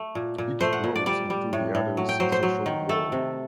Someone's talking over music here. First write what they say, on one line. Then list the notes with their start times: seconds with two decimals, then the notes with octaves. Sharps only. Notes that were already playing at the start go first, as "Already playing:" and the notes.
Each grows into the other's social role.
Already playing: A3
0.15 A#2
0.38 A#2
0.61 A3 C5
0.73 F#5
0.84 A#2
0.96 D5
1.06 G3 D5
1.30 G3
1.53 A2
1.75 A2
1.97 F#3
2.09 G5
2.20 F#3 C5
2.32 C5
2.43 F#3
2.66 D#3
2.89 A3 A4
3.12 C3